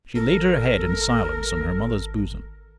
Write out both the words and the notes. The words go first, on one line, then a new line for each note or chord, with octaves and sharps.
She laid her head in silence on her mother's bosom.
G#1 A4 A#4